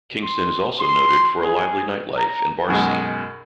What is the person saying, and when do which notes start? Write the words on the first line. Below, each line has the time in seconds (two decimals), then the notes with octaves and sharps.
Kingston is also noted for a lively nightlife and bar scene.
0.23 C6
0.79 C6
1.42 G#4
2.17 A#5
2.68 B1 F#2 B2 G#3